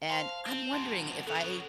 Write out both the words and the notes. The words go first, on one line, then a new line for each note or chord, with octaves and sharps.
and I'm wondering if I
C5 F5 A5 C6
C4
F#2 A#2 A5 C6
C#3 B3 A4 F7